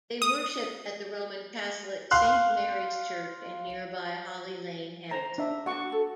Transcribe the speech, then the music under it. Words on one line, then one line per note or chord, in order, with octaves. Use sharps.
They worshipped at the Roman Catholic Saint Mary's Church in nearby Holly Lane, Hampstead.
D#6
F5 C6 F#6
C5 A#5
D4 E5
D4 F#4 F#5 C#6
F#4 A4